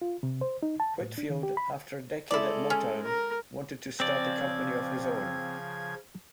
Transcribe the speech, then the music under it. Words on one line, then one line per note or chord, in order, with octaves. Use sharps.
Whitfield, after a decade at Motown, wanted to start a company of his own.
F4
C3
C5
D#4
A5
A2
D4
D#3
G4
B5
G#3 E4 A4 D5
C#4
A#4 A#5
C#3 F3 C4 D5 G#6